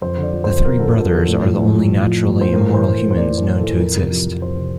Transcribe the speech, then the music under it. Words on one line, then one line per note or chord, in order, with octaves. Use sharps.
The three brothers are the only naturally immortal humans known to exist.
F2 C5
D3
D5
F3
F2 C5
F2 A#4
D3 A4
A#4
F3
A4
F2
A2
F3
A2
F3
A2
F3
A2
F3 C5
A2 A#4
E3 C5
A2
E3 A#4
C5
A2 D5
E3
C5
A2
E3 A4
F2 A#4
C3
F3
F2
F2 C5
C3